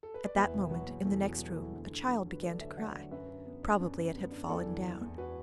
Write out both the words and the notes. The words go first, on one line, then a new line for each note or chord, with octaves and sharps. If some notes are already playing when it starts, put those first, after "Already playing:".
At that moment in the next room a child began to cry; probably it had fallen down.
A4
B4
D5
E2 B4 E5
B2
F#3 F#4 B4
E2
E2 E4 A4
B2
F#4
F#3
E4 A4
E2
D2
D3
F#3
D2
B4
D2 A4 D5
D3 B4 E5
F#3 D5 F#5
D2
F#2 B4 E5
D3
B3
D4
F#2
D3
B3
D4
E2 A4 D5
E3
D4
E2
F#4 B4